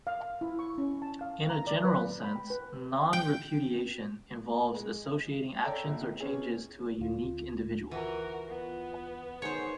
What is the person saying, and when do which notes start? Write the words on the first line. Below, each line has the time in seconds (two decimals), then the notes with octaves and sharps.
In a general sense "non-repudiation" involves associating actions or changes to a unique individual.
0.07 F5
0.41 E4
0.59 C#6
0.78 C#4
1.02 A5
1.21 F5
1.50 A#5
1.67 D5
1.85 B4
2.24 B5
2.36 G5
2.50 B4
3.13 G5
4.74 G#3
5.64 A4 C#5 D5 G5 A#5
5.85 A#1
6.20 B3 C#4 G#4
7.00 D2 F4
7.91 E3 F#4 A#4
8.48 B3
9.42 D#4 G#4 A#4 C5 C#5